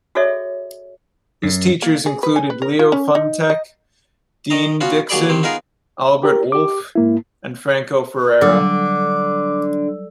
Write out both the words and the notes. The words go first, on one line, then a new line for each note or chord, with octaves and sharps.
His teachers included Leo Funtek, Dean Dixon, Albert Wolff and Franco Ferrara.
F#4 G#4 A4 C#5 D5 E5
F#2
A#3
G#4
B4
G#5
B4
A#4
F4
C#4
D#4
D#5
D#3 D#5 A#5
B3 C#4 F4 F#4
D#2 F#3 G#4 D5 B5
C3 D#3 C4
B3 D#4 F4 G#4 A#4
G4 A#4
G4 D6
G#2 A#3 E4
D3 F#3 G3 D6